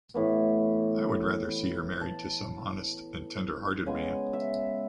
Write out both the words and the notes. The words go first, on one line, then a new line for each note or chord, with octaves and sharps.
I would rather see her married to some honest and tender-hearted man.
A2 E3 B3
A5
C#3 G#3 B3 G#5
E5